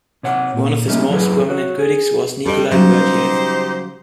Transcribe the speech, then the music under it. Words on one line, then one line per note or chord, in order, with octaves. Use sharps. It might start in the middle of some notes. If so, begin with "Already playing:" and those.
One of his most prominent critics was Nikolai Berdyaev.
C3 C#5 F#5
A#2
C#3 G3 A3 A#3 C#4 D#4
F#2 E3 F#3 D4 G#4 B4
F#4 C#5
G#4
G2 G3 A4 D#5
C#3 F#3 G3 D#4 G4 C5